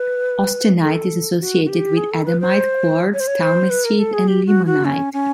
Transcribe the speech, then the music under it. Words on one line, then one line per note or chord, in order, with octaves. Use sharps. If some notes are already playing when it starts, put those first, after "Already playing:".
Austinite is associated with adamite, quartz, talmessite and limonite.
Already playing: B4
A4
F#4
F#4
G4
G#4
A4
B4
C5
C#5
C5
C#5
C5
B4
A#4
A4
G#4
G4
F#4
F#4
C#4
C#4